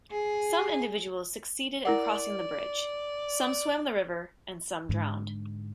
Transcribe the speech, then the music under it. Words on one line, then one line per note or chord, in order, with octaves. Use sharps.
Some individuals succeeded in crossing the bridge; some swam the river and some drowned.
G#4
E4 A#4 D5 F#5
G#2 D3